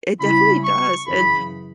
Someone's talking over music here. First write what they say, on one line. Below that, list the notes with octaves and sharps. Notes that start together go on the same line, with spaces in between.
It definitely does, and
C#3 G3 C#4 E4 B5
C#6
F#2 C#3 E3 B5